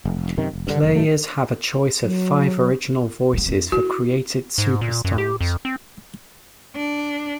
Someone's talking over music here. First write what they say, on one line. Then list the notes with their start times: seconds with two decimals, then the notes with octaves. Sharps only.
Players have a choice of five original voices for created superstars.
0.05 F1
0.37 F#2 C3 D#3
0.53 F1
0.67 G2 D3
0.83 F#1
0.95 A2 F#3 A3
2.03 F#3
3.33 A3 B3
3.46 F2 F3
3.72 E4 F#4
4.58 G#2
4.81 A#2
5.05 F#2
5.18 G4
5.41 F2
5.65 C4
6.76 D4